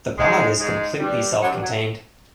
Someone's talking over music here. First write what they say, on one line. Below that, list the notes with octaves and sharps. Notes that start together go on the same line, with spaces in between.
The pod is completely self-contained.
G#2 G#3
G#2 G#3
G2 G3
F#2 F#3
G2 G3
F#3